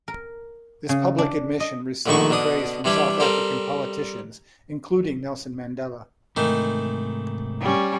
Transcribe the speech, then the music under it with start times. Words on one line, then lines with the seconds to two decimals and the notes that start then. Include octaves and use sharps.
This public admission received praise from South African politicians, including Nelson Mandela.
0.08 A#4
0.89 C#3
1.18 D4
1.60 D#5
2.06 A#1 D3 D#3 A3 F#4 C#6
2.31 B2 D3 D4 D#6
2.84 C3 E3 G3 D4 E4 G4
3.20 G3 C4 A4 A#4 C5
6.36 G#2 C3 D#3 E3 A3
7.61 G3 C#4